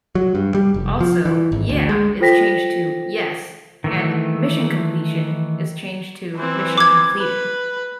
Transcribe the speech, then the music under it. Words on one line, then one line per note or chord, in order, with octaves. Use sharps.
Also 'Yeah' is changed to 'Yes' and 'Mission Completion' is changed to 'Mission Completed'.
F#3
G2
G3
F1
F3
E3
G#1
D2
G#3
F4 A4 C5 G5 A#6 B6
D#3 E3 A3
E3 C4
D6 G#6
B4